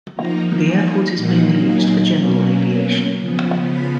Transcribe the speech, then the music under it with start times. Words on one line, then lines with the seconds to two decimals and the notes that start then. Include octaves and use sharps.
The airport is mainly used for general aviation.
0.15 F3 A#3 D#4 A#5
0.65 G#5
1.15 A#2 F#3 A#3 D#4 F#5
1.66 G#5
2.16 B2 F#3 A#3 C#4
3.18 C#3 F3 B3
3.68 B5